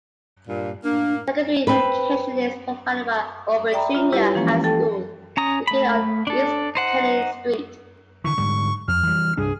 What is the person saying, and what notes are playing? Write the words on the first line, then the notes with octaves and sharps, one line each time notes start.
Secondary education is provided by Auburn Junior High School, located on East Kenney Street.
G2 A#2
A2 A#3 D4
C4 B4
D5 E5 G5 A#5 B5
F4 E5 A#5
G3 E4 G4 B4 C#5
E3 F3 G#3 A#3 C#4
A4 G5 A5
C#4 A#5 D#6
A3 B5
D4 A4
D#4 C5 F#5
D3 E3 C#6
G#2 D3 G3
F2 F6
E3 G3
C2 G2 D4 G#4